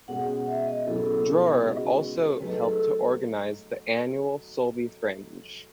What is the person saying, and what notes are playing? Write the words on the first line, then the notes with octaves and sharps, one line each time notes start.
Drower also helped to organize the annual Sulby Fringe.
B2 G#3 C#4 G#4 F#5
F#5
E5
D#5
B2 F#3 C#4 E4 G#4 A4
C#3 G#3 B3 D#4 F#4
F#3 A3 D#4 B4
A4
G#4
A4